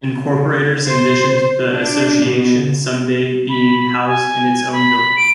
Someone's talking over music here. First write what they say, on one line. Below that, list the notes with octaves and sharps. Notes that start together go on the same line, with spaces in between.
Incorporators envisioned the Association someday being housed in its own building.
C#3
C5
D4
B2
B5
G#5
B5
D7